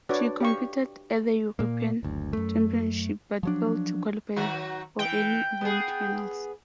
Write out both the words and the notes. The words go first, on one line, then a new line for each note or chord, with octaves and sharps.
She competed at the European Championships but failed to qualify for any event finals.
D4 F#4 B4 C#5 D5
G4 F5 C#6
A#2 A#3
F#1 D2
F#2 A3
F3 F#3 D4
D#3 F#3 F#4
E3 G5
B3 G#4